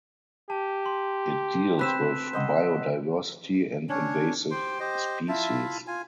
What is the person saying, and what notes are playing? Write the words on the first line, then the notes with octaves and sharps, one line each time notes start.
It deals with biodiversity and invasive species.
G4 A5
C6
C4 B4 F#6 B6 E7
C5 D#5 F#5
C#4 D4 C#5
G4 C5 G5 C6
G4 C5 D#5
E4 F4 E5 A5
F4 G#5